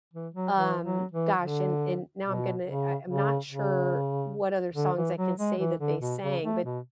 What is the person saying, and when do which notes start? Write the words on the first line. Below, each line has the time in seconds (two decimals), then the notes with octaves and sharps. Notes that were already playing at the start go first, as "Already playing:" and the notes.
um, gosh, and and now I'm gonna I I'm not sure what other songs I can say that they sang, but
0.14 E3
0.34 F#3
0.56 E3
0.84 F#3
1.12 E3
1.40 D3
2.24 B2
2.66 C#3
3.08 C#3
3.49 C#3
4.76 D3
4.96 E3
5.17 F#3
5.38 G#3
5.59 E3
5.80 D3
6.01 B2
6.23 C#3
6.44 A3
6.65 B2